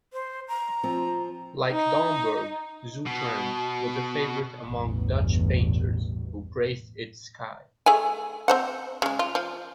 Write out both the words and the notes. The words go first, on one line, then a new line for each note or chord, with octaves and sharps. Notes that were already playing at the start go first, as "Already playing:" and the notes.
Like Domburg, Zoutelande was a favorite among Dutch painters, who praised its sky.
C5
A#5
F3 C4
D#4
B2
A1 E2 G2 B2
A3 G#4 G#5
C4 C5 F#5
C#3 G#3
F4
F3